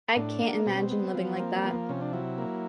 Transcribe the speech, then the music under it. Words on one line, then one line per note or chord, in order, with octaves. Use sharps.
I can't imagine living like that.
A2 D4
A#3
B2 C4
C#4
C4
B3
F3 C4
B3
A#3 C4
C4
F3 B3
C3 C#4
D4
F#3 E4
A#3